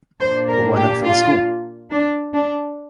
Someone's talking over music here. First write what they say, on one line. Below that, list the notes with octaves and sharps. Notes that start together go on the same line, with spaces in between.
But why not for the school?
A#2 A#3 D4 C5
A#4
G4
F4
D4
D4